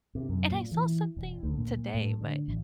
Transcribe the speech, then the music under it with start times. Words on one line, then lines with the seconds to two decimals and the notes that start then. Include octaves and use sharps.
and I saw something today, but
0.15 C3
0.29 F#2
0.51 A#2
0.71 E3
1.17 E1
1.43 D2
1.58 A#2
1.94 A2
2.21 D3
2.48 A1